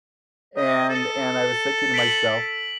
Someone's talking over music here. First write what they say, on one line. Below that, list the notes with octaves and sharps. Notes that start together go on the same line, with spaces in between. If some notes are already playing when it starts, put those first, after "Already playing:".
And and, I was thinking to myself,
D#5
A4
B6 D7 F#7